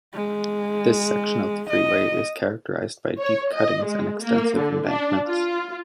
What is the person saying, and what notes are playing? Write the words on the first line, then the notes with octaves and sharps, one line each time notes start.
This section of the freeway is characterised by deep cuttings and extensive embankments.
G#3
D#5
C#5
D#5
G#3
A#3
D3
D4
F4